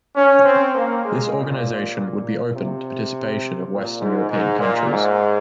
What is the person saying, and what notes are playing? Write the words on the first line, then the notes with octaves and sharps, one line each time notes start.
This organization would be open to participation of Western European countries.
C#4
C4
A#3
G#3
A#2
C3
A#2
G#2
G#2
A#2
G#2